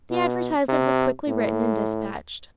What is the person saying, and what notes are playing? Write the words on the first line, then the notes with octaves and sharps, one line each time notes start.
The advertisement was quickly written and despatched.
B2
C3
A2